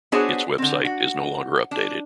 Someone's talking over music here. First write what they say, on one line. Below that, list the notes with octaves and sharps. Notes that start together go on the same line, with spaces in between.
Its website is no longer updated.
B3 D4 F#4 G#4 C5 C#5
D3 C4
F#4
D4